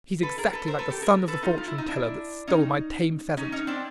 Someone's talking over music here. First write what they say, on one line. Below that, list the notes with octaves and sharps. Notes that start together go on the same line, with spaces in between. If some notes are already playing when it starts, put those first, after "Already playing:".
He's exactly like the son of the fortune-teller that stole my tame pheasant.
A4 B4
G#4 A#4
A4 B4
A#4 C5
A4 B4
G4 A4
G#4 A#4
A4 B4
D#4 F4
F4
E4
D#4
D4 E4
C#4 D#4
C#4 D#4
C#4 D#4
C4 D4